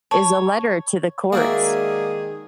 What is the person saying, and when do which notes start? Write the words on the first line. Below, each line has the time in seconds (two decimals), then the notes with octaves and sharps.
is a letter to the courts.
0.11 C#5 A5
1.33 D#3 G#3 A#3 F#4 G#4 D5 E5